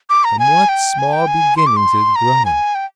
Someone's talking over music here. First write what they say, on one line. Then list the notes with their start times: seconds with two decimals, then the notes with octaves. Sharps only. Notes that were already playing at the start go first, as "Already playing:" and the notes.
From what small beginnings it had grown!
0.10 D6
0.24 A#5
0.39 G#5
0.69 G5
0.99 G#5
1.13 G5
1.28 G#5
1.57 C6
1.67 D6
1.77 C6
2.16 A#5
2.45 G#5
2.75 G5